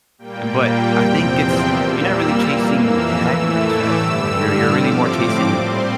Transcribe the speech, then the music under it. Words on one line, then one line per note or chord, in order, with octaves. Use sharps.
But I think it's you're not really chasing happiness right at this point. You're you're really more chasing,
A#2 G3 A#3 G5
E2 C3 F3 C4 G5
C6
A#2 G3 A#3 E6
F2 E3 A#3
E6
A2 E3 A3 E6
D6
G2 D3 G3 E6
F6
A2 F3 C4 D6
A#2 G3 C4 C6